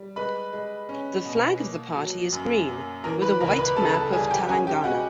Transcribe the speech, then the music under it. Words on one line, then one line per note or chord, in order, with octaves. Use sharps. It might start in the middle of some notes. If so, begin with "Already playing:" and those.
The flag of the party is green, with a white map of Telangana.
Already playing: G3
G#3 B4 B5
G#3
C#4
B2
A#3
F#3
F#2
A#3
E3 A#4 A#5
B4 B5
C#2 A#4 A#5
B4 B5
C#3 A4 A5
A4 A5
G3 G#4 G#5
G#5
G4 G5
C#4 G#4 G#5
G4 G5
G#3 F#4 F#5